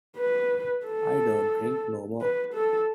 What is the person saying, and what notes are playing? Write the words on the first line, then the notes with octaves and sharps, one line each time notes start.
I don't drink no more.
B4
A4
B4
A4